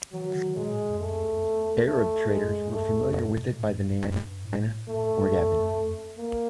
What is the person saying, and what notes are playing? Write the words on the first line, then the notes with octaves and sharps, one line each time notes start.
Arab traders were familiar with it by the name "Dina Morgabin".
E3 F#3
D#3
D3
D#3
A#2 G#3
A2
A#2
F2
F#2 A3
F2
E2
F2
E2
A3
G#3
F#2
G2
G2
F#2 A3
F2
E2
F2
F#2
B2
B2
A#2
A2
G#2
G#2
G2
F#2
G2
A2
A2 A3
A2
G#2
G2
G2
F2
F2
F#2
F2
A#3